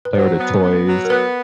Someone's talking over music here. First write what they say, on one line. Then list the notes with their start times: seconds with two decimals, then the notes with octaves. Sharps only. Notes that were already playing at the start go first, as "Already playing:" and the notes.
Play with her toys.
0.05 B4
0.15 F#3 C5
0.39 B3
0.63 B3
0.86 F#3
1.05 A#4
1.10 B3 B4